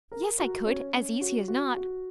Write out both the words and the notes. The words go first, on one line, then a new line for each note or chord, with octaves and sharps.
"Yes, I could, as easy as not."
A#4
F#4
C#4
C#4
F#4
F#4
F#4